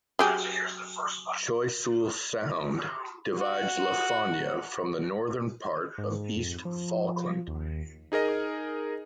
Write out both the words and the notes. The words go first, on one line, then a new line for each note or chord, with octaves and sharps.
Choiseul Sound divides Lafonia from the northern part of East Falkland.
F#3 G4 G#4
F#4
G#2
F2
F3
D#2
D#4 G#4 A#4 D#5